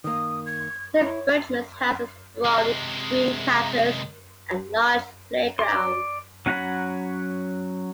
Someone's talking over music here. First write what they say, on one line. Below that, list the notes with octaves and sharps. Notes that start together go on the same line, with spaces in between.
Saint Berchmans' has a sprawling green campus and large play grounds.
D#3 A#3 D#6
G#6
E4 C#5
C3 G#3
D5 C6
F#3 C#4 F#5 A#5 B5